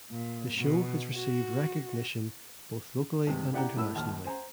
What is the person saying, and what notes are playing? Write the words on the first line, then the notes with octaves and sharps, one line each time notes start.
The show has received recognition both locally and internationally.
A#2
B2
F#4
G2 C3 G#3
E4 G4 D5 F#5 G5 A#5
A2 E4 B5 E6
A#1 D#2 A5 F6
C5 G#5 A#5